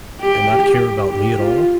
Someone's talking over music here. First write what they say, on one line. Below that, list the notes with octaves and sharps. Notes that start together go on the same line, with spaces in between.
'And not care about me at all?'
G4
G4
F4